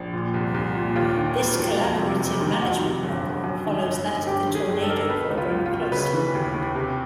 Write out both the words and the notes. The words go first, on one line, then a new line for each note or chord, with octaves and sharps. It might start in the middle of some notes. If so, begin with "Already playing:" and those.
This collaborative management model follows that of the Tornado programme closely.
Already playing: A#1
A#2
C2
C2
A#2
D#2 F4
D#3
E1
E1
F2
C3
F#1
D#3
F2 F#4
C3
G1
G1
F#2
D#3
G1
G1
G2 G4
D#3
G#4
G1
A4
G1 A#4
A4
B2 B4
C#2
F4
C#2
F4
B2
C#3 B4
E3
D#2
D#2
C3